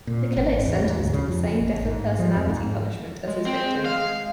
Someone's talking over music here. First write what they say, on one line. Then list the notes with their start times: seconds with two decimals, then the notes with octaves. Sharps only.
The killer is sentenced to the same "death of personality" punishment as his victim.
0.07 A#2
0.37 G#1
0.66 E2
0.84 G#2
0.99 D2
1.13 C#3
1.28 F2
1.60 A1
1.85 G#2
2.19 F3
2.36 F2
2.49 G#2
3.27 G#3
3.46 C4
3.85 F5